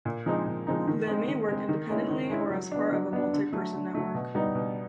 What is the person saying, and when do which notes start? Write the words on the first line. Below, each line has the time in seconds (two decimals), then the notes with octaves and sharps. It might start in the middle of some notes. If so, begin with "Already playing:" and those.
They may work independently, or as part of a multi-person network.
0.05 A#2
0.26 F3 G#3 C4 D#4
0.47 A#2
0.67 F3 G#3 C4 D#4
0.87 D#3
1.08 G#3 C4
1.28 D#3
1.48 G#3 C4
1.69 D#3
1.90 G#3 C#4 E4
2.10 D#3
2.30 G#3 C#4 E4
2.50 F#3
2.72 B3 D4
2.92 F#3
3.13 B3 D4
3.33 D3
3.53 F#3 A3
3.74 D3
3.94 F#3 A3
4.14 B2
4.35 G3 B3 D#4
4.55 B2